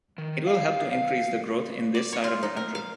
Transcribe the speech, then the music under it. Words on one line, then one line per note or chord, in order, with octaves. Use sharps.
It will help to increase the growth in this side of the country.
D#3
F5
F5
D5
C#5
F4
D#4
A#4
F5